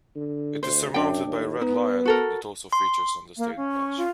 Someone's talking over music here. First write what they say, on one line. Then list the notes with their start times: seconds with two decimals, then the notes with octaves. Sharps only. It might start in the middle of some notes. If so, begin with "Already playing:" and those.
It is surmounted by a red lion that also features on the State badge.
0.16 D3
0.63 D2 C5
0.94 F#2 D4 G5
1.27 D#2
1.61 B3 D#4
2.05 F#4 A4 A#4
2.73 C6
3.38 A#3 F5
3.57 C#4
3.72 C#6
3.97 F4